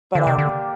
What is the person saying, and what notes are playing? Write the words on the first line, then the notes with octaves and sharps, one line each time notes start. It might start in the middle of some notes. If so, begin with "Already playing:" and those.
But, um,
D3 A#3 G4 D5
C3
D3